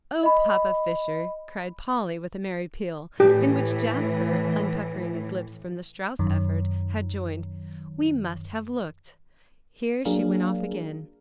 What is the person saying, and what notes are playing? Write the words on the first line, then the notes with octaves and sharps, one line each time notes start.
"Oh, Papa Fisher!" cried Polly with a merry peal in which Jasper, unpuckering his lips from the Strauss effort, had joined, "we must have looked"--Here she went off again.
D#5 B5
A2 E3 G4
F#2 D#3
F#3 A#3 D4 G#4 A#4 F5